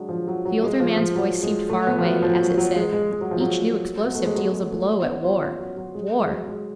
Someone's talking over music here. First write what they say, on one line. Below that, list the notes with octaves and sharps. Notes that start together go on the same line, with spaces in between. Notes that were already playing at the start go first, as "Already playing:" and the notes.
The older man's voice seemed far away, as it said, 'Each new explosive deals a blow at war,--war!'
Already playing: F#3 G#3 D4
F3
F#3
F#3
G#3
F3
F3
F#3
G#3
A3
B3
F3
F#3
F3
F#3
F#3
G#3
G#3
G#3
F#3
F3
F#3
B3
A3
G#3
F#3
G#3
A3
B3
C#4
F4
C#4
F#3
F#3
G#3
G#3
F#3
G#3